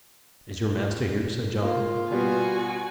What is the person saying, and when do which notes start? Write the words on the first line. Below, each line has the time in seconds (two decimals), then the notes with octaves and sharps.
'Is your master here?' said John.
1.62 A#3 F4
2.11 B2 G3 B3 F#4 G#5